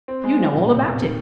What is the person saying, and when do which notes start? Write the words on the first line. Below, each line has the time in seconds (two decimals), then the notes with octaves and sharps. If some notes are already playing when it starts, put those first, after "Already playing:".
You know all about it.
0.08 C4
0.24 G#3
0.39 F3
0.55 A#2 F3
0.65 A2
0.70 C3
0.75 A#2
0.85 E2
1.00 D#3